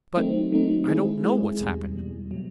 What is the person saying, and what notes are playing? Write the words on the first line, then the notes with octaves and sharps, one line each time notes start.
"But I don't know what's happened."
D#3 F#3 A3 C4 D#4
D#3 F#3 A3 C4 D#4
G#3 C4 E4 G#4
G#3 C4 E4 G#4
E2 B2 G3
E2 B2 G3
B2 F#3